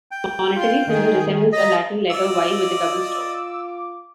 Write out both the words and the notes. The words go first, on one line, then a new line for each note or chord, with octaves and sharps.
This monetary symbol resembles a Latin letter Y with a double stroke.
G5
F4 C6
D#3 G#4
D#5 A#5 A6 B6
F4 D5 D#5 D6 E6